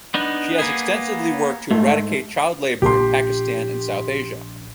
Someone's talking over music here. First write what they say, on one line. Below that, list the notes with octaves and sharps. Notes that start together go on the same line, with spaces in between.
She has extensively worked to eradicate child labour in Pakistan and South Asia.
B3 D4 D#4
A#3 B3 G#4
G#2 A3
A#1 G4 C6